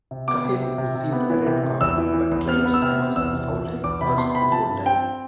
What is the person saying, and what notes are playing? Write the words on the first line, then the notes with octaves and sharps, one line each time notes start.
Cahill received a red card, but claims Emerson fouled him first before diving.
C3
B3 D6
C3
C3
C3
C3
B3
E3
C3
C3
E2 E6
E3
E3
E2
B3 F6
B3
E6
C3 F6
B3
E2 E6
C3
E2
B3
E2 D6
C3 B5
B3 C6
C3 B5
F3 A5
G2
C4 G5